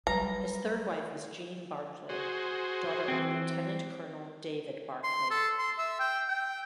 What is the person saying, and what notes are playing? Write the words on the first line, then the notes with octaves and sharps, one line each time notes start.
His third wife was Jean Barclay, daughter of Lieutenant-Colonel David Barclay.
F#3 G3 B4 A#5
F#4 G#4 C5
E3 C4
C6
A4
C6
E5
G5
G5